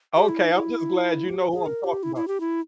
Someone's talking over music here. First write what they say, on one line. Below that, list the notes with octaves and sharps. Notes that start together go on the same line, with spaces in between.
Okay, I'm just glad you know who I'm talking 'bout.
G4
E4
D#4
E4
G4
G#4
A#4
G4
E4
E4
G4
E4